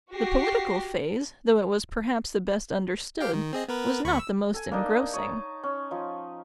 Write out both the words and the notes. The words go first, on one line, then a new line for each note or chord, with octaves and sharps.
The political phase, though it was perhaps the best understood, was not the most engrossing.
F#4 G4 A#6 C7
G4 F5 G5
D#3
C4 G#4 D#5
B3 A#4 B4
D2 B5 C#6
E6
A4 G#5
A#3 D4 D#4
C#5 D#5 A5 A#5
C#4
F3 D#4